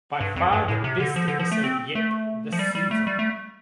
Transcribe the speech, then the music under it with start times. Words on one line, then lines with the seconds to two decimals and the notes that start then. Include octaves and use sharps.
By far the best episode yet this season.
0.20 G2
0.36 F2
0.52 G2
0.68 A2
0.84 C3
1.00 D3
1.16 F3
1.28 D3
1.39 F3
1.52 A3
1.64 C4
1.95 A3
2.52 F3
2.59 G3
2.75 G3
2.91 A3
3.07 G3
3.19 A3